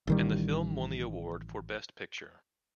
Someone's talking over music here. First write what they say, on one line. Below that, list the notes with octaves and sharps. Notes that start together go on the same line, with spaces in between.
And the film won the award for best picture.
A1 D#3 G3